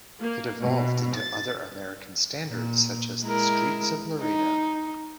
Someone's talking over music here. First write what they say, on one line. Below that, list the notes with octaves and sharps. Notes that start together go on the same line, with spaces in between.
It evolved into other American standards such as The Streets of Laredo.
A#3
B2
A6
A#2
G#3 E4 A#4
D#4